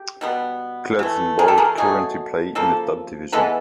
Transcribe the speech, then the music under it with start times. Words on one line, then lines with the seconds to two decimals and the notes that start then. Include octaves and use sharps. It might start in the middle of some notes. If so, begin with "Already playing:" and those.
Clubs in Bold currently play in the top division.
Already playing: G4
0.21 B2 G3 B3
0.99 E3 A3
1.39 G#4 A#4
1.48 G4 A4
1.58 G#4 A#4
1.77 B2 F#3 A3 G#4
2.55 C#3 F3 A#3 A4
3.32 E3 G#3 B3 A4 B4